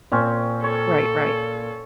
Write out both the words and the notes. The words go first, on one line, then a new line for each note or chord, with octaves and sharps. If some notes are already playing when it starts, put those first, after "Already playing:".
Right, right.
A#2 C4 C#4
A4 C#5